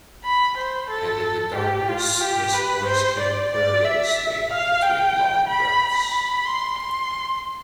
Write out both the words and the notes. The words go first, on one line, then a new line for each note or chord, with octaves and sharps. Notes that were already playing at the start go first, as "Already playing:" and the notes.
And in the darkness his voice came querulously between long breaths.
B5
C5
A4
G4
F4
G4
B4
C5
D5
D5
E5
F5
G5
B5
B5
C6
C6